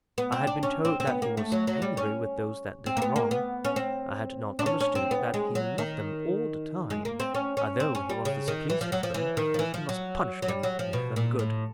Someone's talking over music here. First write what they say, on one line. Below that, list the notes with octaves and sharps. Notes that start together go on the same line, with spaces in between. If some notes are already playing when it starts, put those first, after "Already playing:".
I had been told that he was angry with those that did wrong; I had not understood that he loved them all the time, although he was displeased with them, and must punish them to make them good.
B3
C4
D4
C#4
C4
C4
B3
A#3
A3
F#3
F#3
G3
C#4
C4
A#3
B3
A#3
B3
C#4
C4
D4
C#4
C#4
C4
B3
G#3
F#3
D#3
G#3
A#3
C4
C#4
C#4
C4
C#4
G3
C#3
D#3
E3
F3
F#3
F3
E3
D#3
F3
E3
F3
F#3
F#3
G3
F#3
F3
B2
A#2
A2